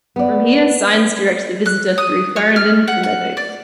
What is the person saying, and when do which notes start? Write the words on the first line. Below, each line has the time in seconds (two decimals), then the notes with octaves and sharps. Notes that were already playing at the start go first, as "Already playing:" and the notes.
From here signs direct the visitor through Clarendon to Meadows.
0.16 B3 D5
1.66 F#6
1.98 D#6
2.36 C#5
2.56 F6
2.88 F#5
3.03 F#5
3.37 D5